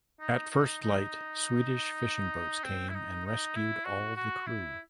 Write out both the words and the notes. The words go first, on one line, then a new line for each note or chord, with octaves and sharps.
At first light Swedish fishing boats came and rescued all the crew.
D#4
D#4
D#4
C4
E4
D#4
D#4
E4
F#4
F#4
E4